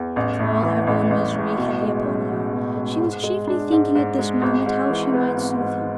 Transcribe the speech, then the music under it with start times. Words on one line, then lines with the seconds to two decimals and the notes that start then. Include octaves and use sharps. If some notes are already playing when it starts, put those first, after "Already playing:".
With all her own misery heavy upon her, she was chiefly thinking at this moment how she might soothe him.
Already playing: E2
0.16 A1
0.39 A2
0.63 E3
0.87 A1
1.10 A1
1.35 A2
1.58 B2
1.82 G#3
2.06 C#4
2.30 F#4
2.53 B2
2.77 G#3
3.00 G#2
3.23 G#3
3.47 D4
3.72 G#2
3.95 G#2
4.19 G#3
4.42 G#1
4.66 G#2
4.90 E3
5.14 B3
5.36 G#1
5.60 G#2